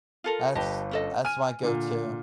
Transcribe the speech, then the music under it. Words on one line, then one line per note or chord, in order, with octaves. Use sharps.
that's that's my go-to.
F4 A4 A#4
G1 G4 B4 D#5 A5
C#4 A4 D#5
G#5 F6 D#7
A#2 D3